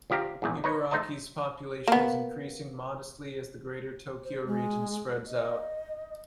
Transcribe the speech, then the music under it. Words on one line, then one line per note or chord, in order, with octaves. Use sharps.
Ibaraki's population is increasing modestly as the Greater Tokyo region spreads out.
D2 F3 G4 F5 A#5
A#1 E2 G#2
D#4 B4 C#5
A3 D#4 C5 D#5 A5
A#3 B3
C5
G#3
D#5